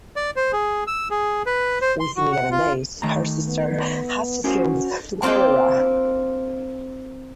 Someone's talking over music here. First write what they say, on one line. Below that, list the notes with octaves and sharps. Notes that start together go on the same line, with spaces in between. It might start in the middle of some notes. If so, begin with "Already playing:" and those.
Within eleven days her sister had succumbed to cholera.
D5
C5
G#4
E6
G#4
B4
C5
C6
F#4
F#5
F4
D#3 A3 A#5
B3
C#4 F#4 A#4 C5
A#3 C4 F4 D5 G5